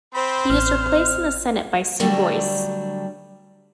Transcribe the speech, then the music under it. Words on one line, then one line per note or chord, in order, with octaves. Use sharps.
He was replaced in the Senate by Sue Boyce.
C4 C5 B5
A1 C4 F6
D3 F#3 G3 A3 D4